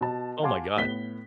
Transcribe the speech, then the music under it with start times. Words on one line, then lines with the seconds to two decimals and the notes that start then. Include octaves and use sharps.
Oh, my god,
0.01 B2 A5
0.43 F5 F#5 G#5 A5 C6 D6
0.77 A2 B3 B6 G7